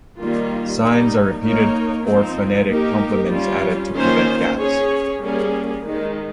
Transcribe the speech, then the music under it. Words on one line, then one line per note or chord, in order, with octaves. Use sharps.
Signs are repeated or phonetic complements added to prevent gaps.
D#3 G3 A#3 F4
G3 A#3 D#4
A#3 D#4 A#4 C#5
F3 C4 D#4
A#3 D#4 G4 A#4
G3 C#4 F4
D#3 A#3 C#4 F4 C5
C#4 G#4 C#5
G3 A#3 C#4 G#4
D#3 G#3 D#4